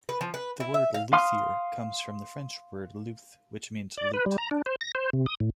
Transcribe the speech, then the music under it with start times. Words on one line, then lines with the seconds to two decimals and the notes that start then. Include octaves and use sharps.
The word "luthier" comes from the French word "luth", which means lute.
0.09 B4
0.21 F3
0.34 B4
0.60 E4
0.74 E5
0.94 F5
1.13 F5 C6 D#6 F6
3.97 D5
4.14 B4
4.26 G3
4.38 A#5
4.51 D4
4.66 C5
4.81 A#6
4.95 C5
5.13 C3
5.26 D#6
5.40 A2